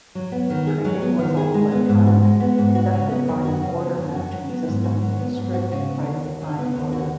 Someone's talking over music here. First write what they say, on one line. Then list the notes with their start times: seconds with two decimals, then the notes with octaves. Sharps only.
Trading was all-electronic, conducted by an order matching system in strict price time order.
0.15 F#3
0.32 B3
0.50 D#3
0.67 G#4
0.85 F#3
1.02 B3
1.19 D#3
1.37 G#4
1.54 G#3
1.71 B3
1.89 G#2
2.06 F#4
2.23 G#3
2.40 B3
2.58 G#2
2.75 F#4
2.93 C#3
3.11 B3
3.28 F#2
3.45 F#4
3.63 C#3
3.80 B3
3.97 F#2
4.15 F#4
4.32 F#3
4.49 B3
4.67 G#2
4.84 F#4
5.01 F#3
5.19 B3
5.36 G#2
5.54 F#4
5.72 C#3
5.88 B3
6.06 D#2
6.23 F#4
6.41 C#3
6.58 B3
6.76 D#2
6.92 F#4